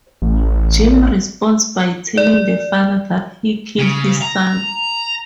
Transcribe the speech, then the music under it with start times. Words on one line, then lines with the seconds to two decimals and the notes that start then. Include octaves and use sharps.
Jim responds by telling the father that he killed his son.
0.22 A1
2.18 D5
3.79 C#3
4.22 A#5